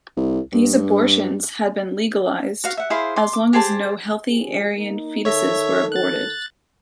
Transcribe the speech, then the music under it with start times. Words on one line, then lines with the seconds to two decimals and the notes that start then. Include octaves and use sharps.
These abortions had been legalized, as long as no healthy Aryan fetuses were aborted.
0.17 C2
0.53 G2
2.64 F#4 F5
2.77 E5 F#5
2.90 E4 G#4 C5 F5
3.16 C6 D6
3.33 D6
3.53 G4 G#4 C5 A5
4.29 F3 G4 G#4
4.77 A#3 D#4
5.25 D#3 A4 C#5 E5
5.92 F#6 A6